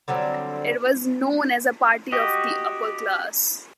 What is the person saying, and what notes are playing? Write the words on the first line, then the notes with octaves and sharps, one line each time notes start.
It was known as a party of the upper class.
D3 F#3 G3 C4
F#4 G4 D#5